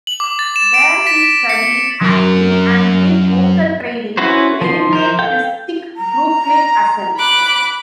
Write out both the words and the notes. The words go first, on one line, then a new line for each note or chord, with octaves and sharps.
There he studied acting and did vocal training to eliminate his thick Brooklyn accent.
F#7
D6
A6
E7
D7
B6
C#7
F#2 A#4
C#4 E4 F#4 B4 C5
F3 C6
F3 A#4 C5
A4 F5 G5 G6
A#5
B5 D6 F#6